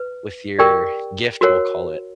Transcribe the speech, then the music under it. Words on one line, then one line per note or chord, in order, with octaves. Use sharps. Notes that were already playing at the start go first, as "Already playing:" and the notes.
with your gift, we'll call it?
Already playing: B4
G4 A#4 D5 G5
F#4 A#4 C#5 F#5